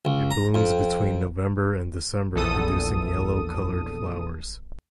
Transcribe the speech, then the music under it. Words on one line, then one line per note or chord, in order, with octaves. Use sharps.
It blooms between November and December producing yellow coloured flowers.
C#2
A#5
F2
A#1 E2 A4 D#6 D#7